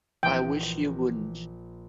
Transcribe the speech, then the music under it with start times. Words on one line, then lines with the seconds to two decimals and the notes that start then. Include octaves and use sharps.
I wish you wouldn't.
0.23 A#1 E3 G5 G6